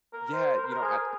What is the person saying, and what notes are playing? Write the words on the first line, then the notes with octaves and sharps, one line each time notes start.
Yeah, you know, I
A#4
C5
A#4
C5
A#4
G#4